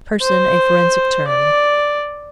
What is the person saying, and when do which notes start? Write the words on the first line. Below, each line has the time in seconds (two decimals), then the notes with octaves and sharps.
Person a forensic Term.
0.22 C5
1.28 D5